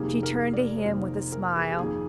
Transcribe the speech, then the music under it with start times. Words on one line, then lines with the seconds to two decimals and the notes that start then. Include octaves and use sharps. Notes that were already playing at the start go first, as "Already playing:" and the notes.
She turned to him with a smile.
Already playing: F2 C3 D#3 G3 A#3 G#4
0.23 A#4
0.53 D5
0.77 C5
0.85 F2 C3 D#3 G3 A#3 D5
1.08 C5
1.32 A#4
1.56 G#4
1.71 G4
1.79 F2 D#3 A#3 G#4